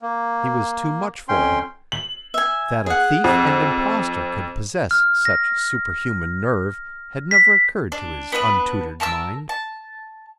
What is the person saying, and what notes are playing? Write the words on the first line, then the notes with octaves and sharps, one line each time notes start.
He was too much for him. That a thief and impostor could possess such superhuman nerve had never occurred to his untutored mind.
A#3
F2 C#4 G5 C6
F#7
E5 G#5
G#4 F#5
F2
F6
A#6
B6
D4
B3 D4 A4 B4
A#4 A5 B5 E6
A5